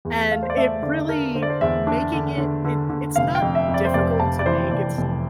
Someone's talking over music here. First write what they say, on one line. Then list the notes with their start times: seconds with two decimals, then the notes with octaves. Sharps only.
And it really making it it it's not difficult to make, it's
0.05 E2
0.32 A3 F5
0.43 C5
0.50 D5
0.57 A3 E5
0.83 D3 D5
1.09 D4 A#4
1.35 D3 C5
1.43 D5
1.50 C5
1.61 E2 E5
1.87 D4
2.12 D3
2.38 D3
2.65 D3
2.90 D3
3.16 F1 F5
3.35 G5
3.42 F2
3.55 E5
3.68 F2
3.74 D5
3.85 C5
3.94 F1 D5
4.20 F1 A5
4.39 D5
4.46 E3 C5
4.71 F1 D5
4.97 F1